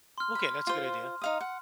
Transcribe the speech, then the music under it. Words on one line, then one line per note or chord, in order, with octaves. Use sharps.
Okay, that's a good idea.
C6 F6
B5
F4 C5
D#4 F5 D#6
F#5